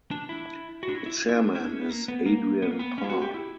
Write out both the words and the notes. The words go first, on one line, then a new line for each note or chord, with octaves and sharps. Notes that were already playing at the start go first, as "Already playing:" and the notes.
Its chairman is Adrian Parr.
D4
E4
F#4
D4
E4
E4
E4
D4
E4
D4
C#4
B3
A#3
B3
A#3
B3
A#3
B3
C#4
E4
F#4
G4
E4